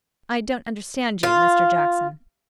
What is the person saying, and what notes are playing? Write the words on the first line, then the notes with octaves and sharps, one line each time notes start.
'I don't understand you, Mr Jackson.'
F4